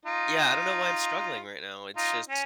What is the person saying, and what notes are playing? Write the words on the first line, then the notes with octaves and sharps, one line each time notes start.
yeah, I don't know why I'm struggling right now. It's just
D#4 F4
D#4 F4
C#4